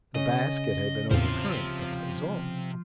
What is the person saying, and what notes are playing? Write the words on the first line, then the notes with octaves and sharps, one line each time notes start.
The basket had been overturned, but that was all.
C#3 C#4 D#5
E2 A2 C3 F3 F4 C5